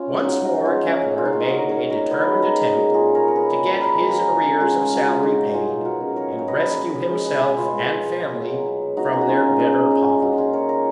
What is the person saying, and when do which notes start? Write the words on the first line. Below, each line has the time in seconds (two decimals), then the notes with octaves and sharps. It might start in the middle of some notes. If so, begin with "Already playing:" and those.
Once more Kepler made a determined attempt to get his arrears of salary paid, and rescue himself and family from their bitter poverty.
Already playing: C#4 F4
0.08 G#3
0.23 G#3 D#4 F#4
0.39 C#3
0.44 D#4 F#4
0.55 C#3
0.65 C#4 F4
0.71 G#3
0.86 F3 C#4 F4
1.02 G#3
1.17 A#2 F4
1.25 D#4
1.33 A#2 C#4
1.40 D#4
1.48 A#2 F#4 A#4
1.64 A#2
1.69 A#4 C#5
1.80 F#3
1.90 A#4 C#5
1.95 A#2
2.10 G#3 B4 D#5
2.27 C#3
2.42 G#3 A#4 C#5
2.57 G#3
2.73 A#2 F#4 A#4
2.89 A#2 F4 G#4
3.05 A#2
3.15 A#4 C#5
3.20 A#2
3.28 A#4
3.36 F#3 G#4 B4
3.52 A#2
3.67 F#3 B4
3.81 F#3 A#4
3.95 G#3 G#4
4.09 G#3 F#4 A#4
4.30 C#3
4.44 C#3
4.60 G#3 F4 G#4
4.76 G#3 F4 G#4
4.92 G#3 F#4
5.07 G#3 F4 G#4
5.23 F#3 D#4 F#4
5.38 F#3
5.54 B2 F4 G#4
5.70 B2
5.85 F#3 F#4 A#4
6.00 C#3
6.16 F#3 A#4 C#5
6.32 F#3
6.39 C#5
6.47 F#3 B4 D#5
6.63 A#2
6.78 F#3 B4 D#5
6.94 F#3
7.10 G#3
7.25 B2 G#4 B4
7.41 B2 G#4 B4
7.57 B2 F4 G#4
7.72 G#3
7.88 G#3
8.04 G#3
8.19 B2
8.35 F#3
8.50 F#3
8.66 F#3
8.82 B2
8.97 C#3 D#4 F#4
9.05 A#4
9.13 C#3 G#4
9.21 F#4
9.28 C#3 C#4 F4
9.44 C#3
9.59 F3 D#4
9.75 A#2
9.91 A#2 D#4
10.07 G#3
10.22 F#3 D#4 F#4
10.38 A#2 F4 G#4
10.53 A#2 A#4 C#5
10.69 F#3 A#4 C#5